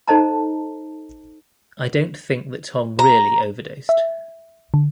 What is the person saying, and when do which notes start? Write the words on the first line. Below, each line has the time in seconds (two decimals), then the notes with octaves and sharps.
I don't think that Tom really overdosed.
0.08 D#4 A4 C5 D#5 A5 A#5
2.99 A#5
3.89 E5
4.74 D3